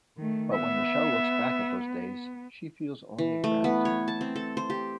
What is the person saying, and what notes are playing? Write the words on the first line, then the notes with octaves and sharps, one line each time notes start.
But when Michele looks back at those days she feels only gratitude.
D#3 A3
B3 E5
E3
A3
B3
C#5
A5
C4
A4
C5
G4